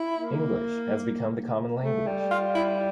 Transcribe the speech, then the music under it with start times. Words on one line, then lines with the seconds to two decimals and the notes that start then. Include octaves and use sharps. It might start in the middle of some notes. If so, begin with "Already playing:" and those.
English has become the common language.
Already playing: E4
0.14 A#3
1.83 A3
2.07 G3
2.31 F4
2.55 E4